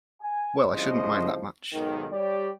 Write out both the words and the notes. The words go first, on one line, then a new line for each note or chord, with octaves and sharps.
Well, I shouldn’t mind that much!
G#5
C2 C#3 F3 C5 D#5
B1 G#2 D#3
G3 G4 C#5 D5